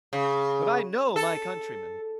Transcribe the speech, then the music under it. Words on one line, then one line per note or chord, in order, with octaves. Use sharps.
But I know my countrymen.
C#3
A4